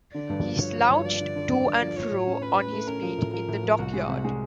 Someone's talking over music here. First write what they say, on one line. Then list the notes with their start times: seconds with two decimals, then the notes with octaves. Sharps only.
He slouched to and fro on his beat in the dockyard.
0.14 D3 D5
0.30 G2
0.45 F3
0.59 F3 C#5
0.75 F3
0.90 G2
1.05 F3 D5
1.20 D3
1.36 D3
1.51 G2
1.66 G2
1.81 F3
1.96 F3 C#5
2.11 A2
2.27 C#4
2.41 C#4 B4
2.57 C#4
2.73 A3
2.87 C#4 A#4
3.03 F3
3.18 A2
3.33 F3 A#4
3.48 A2
3.63 F3
3.79 C2 F#4
3.93 G#3
4.09 C3
4.25 G#3